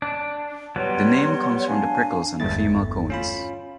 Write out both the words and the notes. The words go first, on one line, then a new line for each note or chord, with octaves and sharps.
The name comes from the prickles on the female cones.
D4
F#3 G3 B3 C#5 F#5 C6
D4 F5 G#5
G1 E2 G2 A3 E4 A6
C#4 F4 B5